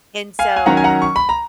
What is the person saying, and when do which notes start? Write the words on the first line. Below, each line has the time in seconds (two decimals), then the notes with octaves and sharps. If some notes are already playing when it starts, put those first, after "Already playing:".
And so,
0.39 F5 G#5
0.56 G#5
0.66 D#3 F#3 C#4 F#5 A#5
0.77 G#5
0.84 F#5 A#5
1.02 C#6
1.16 B5
1.29 A#5